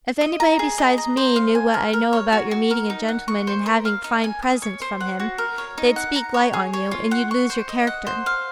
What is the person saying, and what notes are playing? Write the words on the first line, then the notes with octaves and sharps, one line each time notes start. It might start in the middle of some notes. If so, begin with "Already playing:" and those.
If anybody besides me knew what I know about your meeting a gentleman and having fine presents from him, they'd speak light on you, and you'd lose your character.
D#5
A#5
G#4
D#5
A#5
C5
F5
G#5
A#4
A#4
C#5
F#4
F#4
A#4
D#4
F#5
C#6
C5
A#4
F5
D#4
G#5
D#6
C#5
C5
F#5
F#4
A#4
C#5
D#4
F#5
A#5
C#5
G#4
C#5
F4
F#5
C#6
C5
D#5
F#5
C5
F5